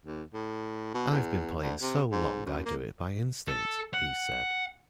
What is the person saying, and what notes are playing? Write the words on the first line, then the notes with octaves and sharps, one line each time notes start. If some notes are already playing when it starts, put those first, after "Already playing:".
"I've been playing so long I do it by instinct" he said.
D#2
A2
B2
E2
D2
C3
G#2
F#2
A#3
A4
F#5